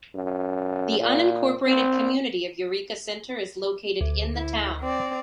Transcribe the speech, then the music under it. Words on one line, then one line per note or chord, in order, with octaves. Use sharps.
The unincorporated community of Eureka Center is located in the town.
F#2
A#2
C4
D2
E4
C4 D5